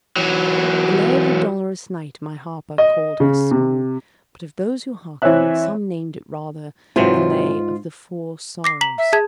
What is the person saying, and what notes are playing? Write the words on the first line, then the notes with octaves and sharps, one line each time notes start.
The Lay of the Dolorous Knight, my harper called his song, but of those who hearkened, some named it rather, The Lay of the Four Sorrows.
E3 F#3
D#5
C#3
C3
E3 C4 C#5 E5 F#6
G#2 C3 E3 F#3 F4
D6 A#6 C7
A#5 B6 F#7
E5
G#4 A5 G#6